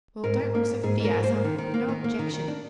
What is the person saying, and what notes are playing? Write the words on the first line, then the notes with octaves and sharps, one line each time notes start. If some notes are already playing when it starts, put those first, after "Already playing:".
'Well, don't look so fierce; I've no objection.
G#2 A#4
G#2
A#3
G#2
G#2 G#4
G#2 A#4
G#2
C5
A#3
D#3
D#3
A#3
D#3
A#3
D#3
D#3
D4